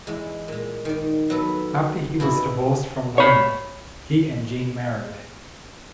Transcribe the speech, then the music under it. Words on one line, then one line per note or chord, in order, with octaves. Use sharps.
After he was divorced from Lona, he and Jean married.
E2 G#3
A#2 G#3
D#3 D5
F#3 B3 A4
B2 E4 F#4 G#4
C#5 B5